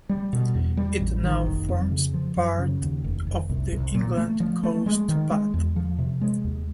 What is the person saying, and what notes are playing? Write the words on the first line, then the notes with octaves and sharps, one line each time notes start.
It now forms part of the England Coast Path.
G3
B2
E2
G3
A1
D#3
F1
F2
C#3
F3
F#2
C#3
D#2
F1
F1
C2
C2
A#2
A3
F3
A3
G#3
D#3
G#3
E2
F3
C3
G#3
D#2